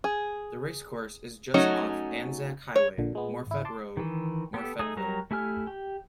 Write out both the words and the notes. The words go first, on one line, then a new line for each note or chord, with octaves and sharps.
The racecourse is just off Anzac Highway, Morphett Road, Morphettville.
G#4
F#3 A3 C#4 D#4 F#4
C#5
A#1 A#2 D3
A#2 G#3 B3
G#1 E4
A5 C6 D6
D#3 E3
B3 G4 A4
A3 D#4 G#4 D#6
F#3 G3 A#4 A#5
A3 E4 G4 G#5 F6
G4